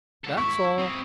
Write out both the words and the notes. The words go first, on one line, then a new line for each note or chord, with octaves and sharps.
That's all.'
G#2 A4
E4 C#6
C4 D#5